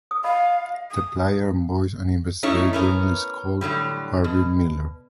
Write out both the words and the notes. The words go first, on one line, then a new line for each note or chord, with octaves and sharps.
The player embodies an investigative journalist called Harvey Miller.
D#6
D#5 F5 B5
E5
D#6
A3 C#4 D#4 E4 C#5
B3 C#4 A#4
A2 D3 F#3 G3
B2